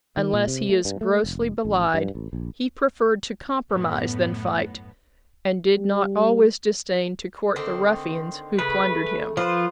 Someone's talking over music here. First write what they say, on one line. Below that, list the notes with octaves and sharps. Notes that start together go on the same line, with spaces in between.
Unless he is grossly belied, he preferred to compromise than fight, and did not always disdain to court the ruffians who plundered him.
D#3
A#2
C3
A3
G2
A3
F1
A1
G2
A1
A#1
F#2 A2 B3
G3
D3 D#3 C4
C#3 A3 B4
F3 F4 B4 C5